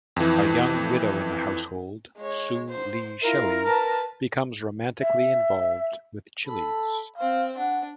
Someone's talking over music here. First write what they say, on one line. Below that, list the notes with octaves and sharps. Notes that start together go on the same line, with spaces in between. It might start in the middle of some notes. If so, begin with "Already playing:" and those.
A young widow in the household, Sue Lee Shelley, becomes romantically involved with Chiles.
F2 E3
G#3 C#5
C5
E4 F4 A#4
B4 A5
E5
A4 B5
C4 C5 F5
D4 F#5